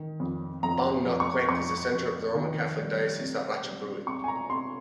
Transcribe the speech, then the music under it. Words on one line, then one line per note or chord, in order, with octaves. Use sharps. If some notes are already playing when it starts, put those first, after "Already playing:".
Bang Nok Khwaek is the centre of the Roman Catholic Diocese of Ratchaburi.
Already playing: D#3
F2
F2 A#5
F2
C#6
F2 C#6
F2
D#3
G3
C3
G3
C3 C#6
G#5
A#5
C3 C6